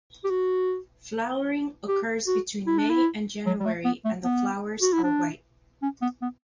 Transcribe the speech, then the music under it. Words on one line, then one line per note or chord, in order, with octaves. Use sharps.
Flowering occurs between May and January and the flowers are white.
G4
F#4
G4
F#4
E4
D4
E4
F#3
G3
A3
B3
A3
B3
F#4
E4
D4
C#4
B3
B3